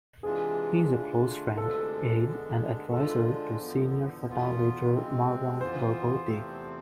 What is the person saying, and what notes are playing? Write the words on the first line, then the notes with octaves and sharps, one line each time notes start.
He is a close friend, aide and adviser to senior Fatah leader Marwan Barghouti.
C3 E3 G#3 D4 F4 G#4
D3 A3 D4 F4
D2 C3 F3 G#3 D4 A4
D3 G#3 B3 D4
D3 F3 G#3 D4 F4 A4
E2 D3 F3 B3
E2 B2 B3 F4
C3 G#3 C4
F2 E3 B3 F4 C5
E2 C3 F3 A3 C4